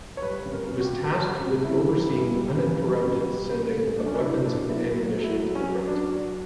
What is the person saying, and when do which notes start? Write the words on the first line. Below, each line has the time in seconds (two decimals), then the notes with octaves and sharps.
He was tasked with overseeing uninterrupted sending of weapons and ammunition to the front.
0.17 C#5
0.22 G3 B4
0.45 C#3
0.53 A#4
0.69 C#3
0.80 F#4
0.85 G4
0.93 C#3
1.16 G3 F#4
1.40 C#3
1.63 C#3 E4
1.87 G3
2.10 C#3
2.34 G3
2.57 C#3
2.81 G3
3.05 C#3
3.28 G3
3.52 G3
3.76 C#3
3.98 F#3 D4
4.06 C#4
4.14 D4
4.22 F#3 E4
4.46 A#2 D4
4.69 F#3 E4
4.93 F#3
5.17 F#3
5.24 E4
5.40 F#3
5.55 C#4
5.63 F#3
5.87 F#3 D4
6.11 F#3